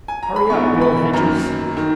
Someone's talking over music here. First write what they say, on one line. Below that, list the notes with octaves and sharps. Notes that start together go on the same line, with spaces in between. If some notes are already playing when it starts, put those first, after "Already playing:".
"Hurry up, Bill Hedges!"
G#5
A#5
B5
A#1 G#2 E3 B3 C#6
B5
F#2 D#3 A#3 A#5
D#3